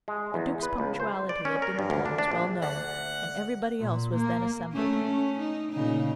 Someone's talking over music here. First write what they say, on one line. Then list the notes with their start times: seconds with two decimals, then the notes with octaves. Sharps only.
The Duke's punctuality at dinner-time was well known, and everybody else was then assembled.
0.08 G#3
0.34 E2
0.63 B4
0.78 C#2
1.00 C5
1.29 D5
1.45 C#4
1.62 A#4
1.79 G2
1.90 D2
2.06 D4
2.18 D4
2.32 A#1
2.62 D2 F#5
3.80 A#2
4.14 A#3
4.72 A3 C#4
5.04 C#4
5.39 D#4
5.72 A#2 C#3 D#4